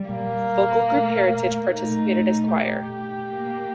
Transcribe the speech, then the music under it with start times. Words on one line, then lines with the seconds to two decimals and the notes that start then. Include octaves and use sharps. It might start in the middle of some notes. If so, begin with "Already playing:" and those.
Vocal group Heritage participated as choir.
Already playing: G3
0.10 A#3
0.89 A3
1.69 A3 D#4
2.48 G4
3.28 A#3